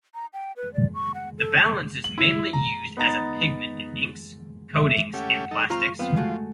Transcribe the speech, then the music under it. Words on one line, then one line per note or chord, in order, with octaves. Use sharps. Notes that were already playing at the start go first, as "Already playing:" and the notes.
The balance is mainly used as a pigment in inks, coatings and plastics.
A#5
G5
B4
D5
C#6
F#5
A4
F#7
E4
A#5
B3 D#4 A#5 A6
E5
A3 C#4 G4 F#5
D#4 A4
C4 F4 A#5 C#6 F6
F3 B3 C4 F5
G#3 A3 F#4